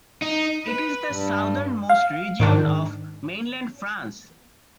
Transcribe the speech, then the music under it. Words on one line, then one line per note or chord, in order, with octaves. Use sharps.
It is the southernmost region of mainland France.
D#4
B4
G2
F5
G#2 D#3 D4